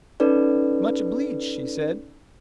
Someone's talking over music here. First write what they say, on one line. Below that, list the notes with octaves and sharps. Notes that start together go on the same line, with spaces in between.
"Much obleeged," she said.
C#4 D#4 A4 B4 D5